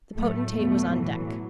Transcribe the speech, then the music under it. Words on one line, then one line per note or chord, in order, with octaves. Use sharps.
The potentate was on deck.
A2 F#3 A3
E2 B2 F#3 A3
A2 E3 F#3